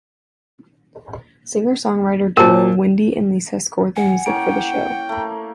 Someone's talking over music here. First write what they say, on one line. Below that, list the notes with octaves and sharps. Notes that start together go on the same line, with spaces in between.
Singer-songwriter duo Wendy and Lisa scored the music for the show.
A#2 A#4 C5 A5
F#5 G#5
A#3 C#4 E4 C#5 G5 D7
A3 A#3